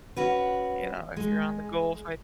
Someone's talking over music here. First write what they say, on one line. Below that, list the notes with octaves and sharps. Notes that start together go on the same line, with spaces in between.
You know, if you're on The Gulf,
C#4 F#4 B4
G#3